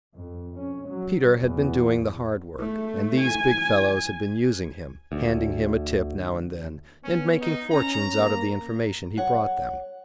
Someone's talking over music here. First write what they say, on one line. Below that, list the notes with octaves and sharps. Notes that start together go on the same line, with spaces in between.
Peter had been doing the hard work, and these big fellows had been using him, handing him a tip now and then, and making fortunes out of the information he brought them.
F2
C#4
F#3
E2
A3
G#5
D2
B3 C#4
D#4
C#4 A#5
A#3
C#5 F#5